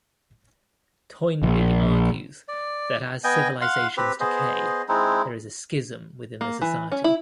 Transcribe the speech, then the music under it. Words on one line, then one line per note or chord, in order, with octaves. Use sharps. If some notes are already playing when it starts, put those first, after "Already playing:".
Toynbee argues that as civilizations decay, there is a "schism" within the society.
A#1
D5
B3 D#5 G5 G#5
F5 F#5 C6
C4 G4 B4
B3 G#4 C5 D#5
G#3 C4 D#4 E4
A#3
E3
C#4
E4